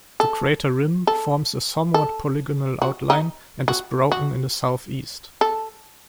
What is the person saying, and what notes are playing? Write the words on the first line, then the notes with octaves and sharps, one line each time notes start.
The crater rim forms a somewhat polygonal outline, and is broken in the southeast.
A4
A4
A4
F#4
D#4
F#4
F#4
A4